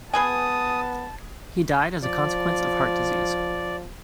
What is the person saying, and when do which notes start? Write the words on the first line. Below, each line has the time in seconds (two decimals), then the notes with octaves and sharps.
He died as a consequence of heart disease.
0.14 B3 G#4 B4 G#5 A5 D#6
2.03 F3 D5